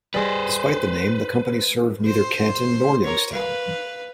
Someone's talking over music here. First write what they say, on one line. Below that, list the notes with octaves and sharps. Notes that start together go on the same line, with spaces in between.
Despite the name, the company served neither Canton nor Youngstown.
G3 G#4 B4 C5 D#5
C5 C6
A#4 C#5
B4 F5